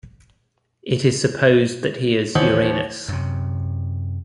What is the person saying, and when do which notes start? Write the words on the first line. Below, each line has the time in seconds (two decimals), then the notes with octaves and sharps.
It is supposed that he is Uranus.
2.35 D#2 D#3 E3 C5 C#5 F#5
3.08 F#2 C3